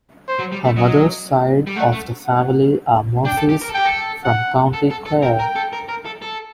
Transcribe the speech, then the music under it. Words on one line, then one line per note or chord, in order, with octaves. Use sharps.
Her mother's side of the family are Murphys from County Clare.
C5
F#3
G3
A3
F#3 D#5
G3
A3 F#5
A3
F#5
D4 G5
A4
G4
A#4
A4
G4 G5
A4
F#5
A4
A4
A4
A#4 G5
A#4
A4
A#4
A#4
A4
A4